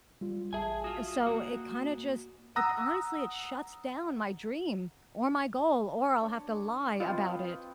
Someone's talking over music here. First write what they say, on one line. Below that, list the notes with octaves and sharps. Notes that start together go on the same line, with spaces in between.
so it kinda just it honestly it shuts down my dream or my goal or I'll have to lie about it.
G3 F4
A1 G#4 E5 G#5 A5
F4 F#4 D#6
A#3 F#4
F#5 A#5 D#6 E6 F#6 A#6
D4 C#5
C4 F4 B4 D#5